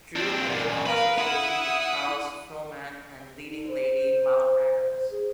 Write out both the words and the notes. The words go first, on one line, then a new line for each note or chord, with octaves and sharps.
Drew had a long association with Charles Frohman and leading lady Maude Adams.
C4 D4
F#2 A#2
A#4 B4 F5
E4 F#5 B5 D#6
D#4
C5
G#4